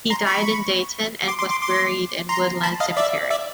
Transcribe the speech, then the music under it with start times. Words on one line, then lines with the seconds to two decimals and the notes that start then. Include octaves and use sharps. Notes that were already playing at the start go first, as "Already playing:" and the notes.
He died in Dayton and was buried in Woodland Cemetery.
0.10 A#5 C6
0.26 B5 C#6
1.28 C6 D6
1.39 C6 D6
1.50 C6 D6
1.62 C6 D6
2.29 A#5 C6
2.63 A5 B5
2.80 D#5 F5
2.97 D5 E5
3.30 D5 E5